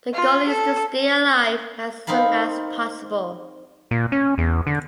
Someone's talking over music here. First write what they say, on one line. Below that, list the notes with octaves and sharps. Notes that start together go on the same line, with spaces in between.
The goal is to stay alive as long as possible.
F4
A4
C4 D#4 A#4 F5 B5
A#2
C#4
E2
D3